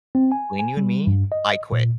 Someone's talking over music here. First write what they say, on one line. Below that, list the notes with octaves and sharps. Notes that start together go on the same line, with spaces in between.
between you and me, I quit.
C4
G#5
G#5
G3
G2
D#5
A#2